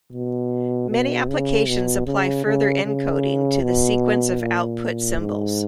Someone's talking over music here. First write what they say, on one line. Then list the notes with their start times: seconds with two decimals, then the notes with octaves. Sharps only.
Many applications apply further encoding to the sequence of output symbols.
0.12 B2
0.90 B2
1.29 C#3
1.68 B2
2.06 C#3
2.46 C#3
2.85 C#3
3.63 B2
4.41 A#2
5.20 G#2